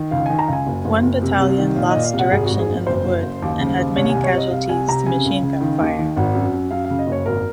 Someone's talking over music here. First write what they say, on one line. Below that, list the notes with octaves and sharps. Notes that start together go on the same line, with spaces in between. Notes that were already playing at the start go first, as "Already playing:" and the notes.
One battalion lost direction in the wood and had many casualties to machine-gun fire.
Already playing: D#3
C#2 F5
D#3 G#5
A#5
C#2 G#5
F#1
F#1
F#1
C3
C2
D#3
A#2 F5
A#2 D#5
F5
C2
F#5
G#1 G#4
G#2 F#4
G#4
G#1
F#1 C5
F#1
F#1
D#2
C#3
D#2
C2 C#5
G#5
C2
C#5
C2 D#5
C2 F5
C2 G#5
C3 A#5
C#3 G#5
C#2
C#3
D#3
D#2
D#3
G#1 F#5
F#2
F#2
F#2 F5
F5
C#3
D#5
F#1 C#5
G#1 A#4